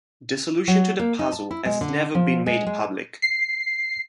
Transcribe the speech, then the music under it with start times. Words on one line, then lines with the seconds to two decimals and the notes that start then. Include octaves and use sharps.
The solution to the puzzle has never been made public.
0.68 F#3
0.99 A#3
1.19 D#4
1.32 A5
1.51 E4
1.66 G#3
1.81 D3
2.15 F3
2.46 G#3
2.67 G#3
3.22 C7